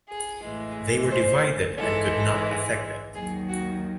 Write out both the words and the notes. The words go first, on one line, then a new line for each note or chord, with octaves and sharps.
They were Divided and could not Effect it.
G#4
A2 E3 G#3
C5
G#2 E3 G#3 A4
D#2 D#3 F#3 G#4
F#4